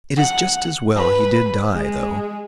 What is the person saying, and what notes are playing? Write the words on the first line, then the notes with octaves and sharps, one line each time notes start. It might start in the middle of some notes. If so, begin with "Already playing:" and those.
"It is just as well he did die, though."
F#5
B4
G#3